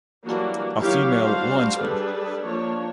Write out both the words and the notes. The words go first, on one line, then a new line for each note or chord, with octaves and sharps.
A female linesman.
E3 F#3 G3 A#3 D4 F#4
D#3 F#3 E4 G4 C#5 F5
G3 D4 F#4 C5 F5
G3 D4 G#4 A4 B4
F3 A#3 D4 C#5